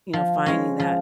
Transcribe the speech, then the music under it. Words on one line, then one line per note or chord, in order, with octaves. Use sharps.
you know, finding that
F3
G#3 C#4
F3